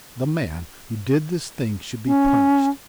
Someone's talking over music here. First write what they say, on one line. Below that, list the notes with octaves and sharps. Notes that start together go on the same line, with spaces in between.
The man who did this thing should be punished.
C#4